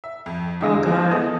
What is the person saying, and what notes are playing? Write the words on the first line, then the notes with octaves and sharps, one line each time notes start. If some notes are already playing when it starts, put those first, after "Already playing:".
Oh god.
E5
F2
E2 D3 F5 A#6
F3 G#3 A#3 C4 E4
B3 A4 D#5 D#6